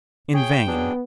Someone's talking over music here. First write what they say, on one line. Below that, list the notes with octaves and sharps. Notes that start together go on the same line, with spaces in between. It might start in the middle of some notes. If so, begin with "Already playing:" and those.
In vain.
G#4 C#5 G5
F#3 B3 D4 G#4